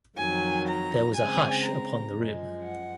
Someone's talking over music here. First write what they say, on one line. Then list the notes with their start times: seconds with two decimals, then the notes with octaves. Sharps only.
There was a hush upon the room.
0.16 F2 D#3 F#3 G#5
0.66 A#5
1.15 C#3 G#3 C4 G#5
1.65 A#5
2.14 F#2 F3 G#3
2.64 F#5